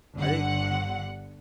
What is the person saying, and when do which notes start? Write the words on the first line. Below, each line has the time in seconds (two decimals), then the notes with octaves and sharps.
I think,
0.16 G1 D3 F#5